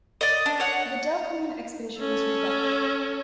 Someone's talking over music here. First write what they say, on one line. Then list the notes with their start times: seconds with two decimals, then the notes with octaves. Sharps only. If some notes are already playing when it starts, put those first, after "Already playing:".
The Delcommune Expedition was rebuffed.
0.21 D5 D#5
0.46 D4
0.60 C#5 F#5
1.99 C#4 A4